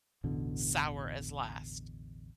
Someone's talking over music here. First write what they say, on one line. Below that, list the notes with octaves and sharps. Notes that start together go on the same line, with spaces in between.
sour as last?
A1 E2 B2 D3